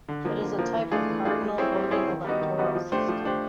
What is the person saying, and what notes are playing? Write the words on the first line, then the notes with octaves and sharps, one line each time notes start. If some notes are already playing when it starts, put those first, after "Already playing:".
It is a type of Cardinal voting electoral system.
D3
F3 A#3
D3
F3 A#3
E3
A3 D4 F4 G#4
E3
A3 D4 F4 G#4
G3
C4 E4 G#4 C#5
G3
C4 E4 G#4 C#5
D#3
G3 B3 D#4 F#4
D#3
G3 B3 D#4 F#4
F3
A3 D4 G4 C5
F3
A3 D4 G4 C5